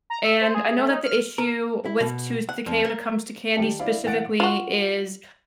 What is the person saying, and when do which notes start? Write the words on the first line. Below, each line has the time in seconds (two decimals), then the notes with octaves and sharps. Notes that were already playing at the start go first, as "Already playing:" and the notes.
and I know that the issue with tooth decay when it comes to candy specifically is
0.10 A#5
0.24 E5
0.41 C5
0.55 G#4
0.78 A3
0.90 D#4
1.04 F6
1.38 A#4
1.85 E4
2.00 B2
2.49 F#5
2.66 F2
2.84 A#3
3.57 D#3 G3 G4 G5 A5
3.79 D4 E4 D5 F5
4.04 A2 E3 F5 F#5 A6 D7
4.40 F4 F#4